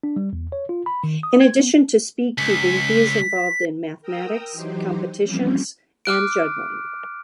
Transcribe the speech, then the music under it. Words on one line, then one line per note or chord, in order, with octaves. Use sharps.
In addition to speedcubing, he is involved in mathematics competitions and juggling.
D4
G3
E2
C#5
F4
B5
D#3
D#6
G#6
B3
C#2 B6
A#4 G5 A#5 D#6 E6
E3 F#3 D#4 G4 C5
E3 F3 G3 A#3 C4 C#4
D6 F6 F#6 D7